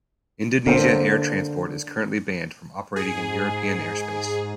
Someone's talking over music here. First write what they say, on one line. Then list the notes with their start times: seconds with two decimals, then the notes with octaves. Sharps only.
Indonesia Air Transport is currently banned from operating in European airspace.
0.67 D3 A#3 C4
2.96 G#2 G#4